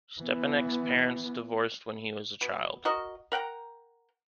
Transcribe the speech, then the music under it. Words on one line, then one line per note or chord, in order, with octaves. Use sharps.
Stepanek's parents divorced when he was a child.
E3 B3
B2
F#4 A#4 D#5
A#4 F#5 G5 A#5